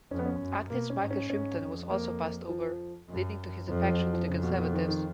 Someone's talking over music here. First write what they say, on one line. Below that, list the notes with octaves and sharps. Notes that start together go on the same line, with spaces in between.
Activist Michael Shrimpton was also passed over, leading to his defection to the Conservatives.
F2 C#4
B3
C#4
F#2
B2 A#3
C#4
G#2
C#4
G#2 C#4
F2
A#3
F3
F#2
F2 F3
F3
F#3
F3
F2 C#3
B2
B2
D#3
D#3